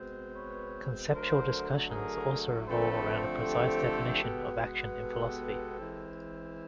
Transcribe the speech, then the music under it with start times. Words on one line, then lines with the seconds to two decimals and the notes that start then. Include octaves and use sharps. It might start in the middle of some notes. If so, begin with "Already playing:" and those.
Conceptual discussions also revolve around a precise definition of action in philosophy.
Already playing: B2 G#3 C4
0.35 B4 C#5
1.13 D3 F#3 A3 A#4 C5
1.91 G#4 A#4
2.68 D3 F3 A3 C4 A4 B4
3.45 G4 A4
4.23 B2 G#3 B3
5.00 G4 A4
5.78 E3 G#3 C4